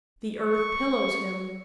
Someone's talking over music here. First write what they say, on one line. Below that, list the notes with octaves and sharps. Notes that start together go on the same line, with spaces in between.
The earth pillows him.
C#6